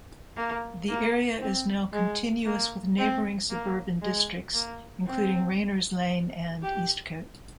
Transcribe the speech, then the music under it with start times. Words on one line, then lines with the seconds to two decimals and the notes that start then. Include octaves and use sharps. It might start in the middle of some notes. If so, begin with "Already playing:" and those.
The area is now continuous with neighbouring suburban districts including Rayners Lane and Eastcote.
0.36 A#3
0.89 A#3
1.41 C4
1.93 G#3
2.45 A#3
2.98 C4
3.50 A#3
4.01 G#3
4.53 A#3
5.06 C4
6.63 G4